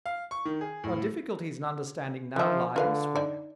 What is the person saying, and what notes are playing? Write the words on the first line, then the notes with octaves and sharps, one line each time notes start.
Our difficulties in understanding now lie elsewhere.
F5
C#6
D#3
G#4
A2
D3 F3 E5
D3 F4 B4 F5
D#4 D5